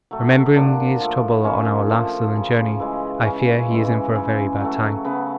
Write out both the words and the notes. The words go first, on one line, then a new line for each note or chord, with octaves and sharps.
Remembering his trouble on our last Southern journey, I fear he is in for a very bad time.
F#3 A3
A#2 D4
F3 A3
A#2 C#4
F3 A3
C#3
E3 G#3
C#3 C#4
E3 G#3
C#3
F#3 A3
C#3 B3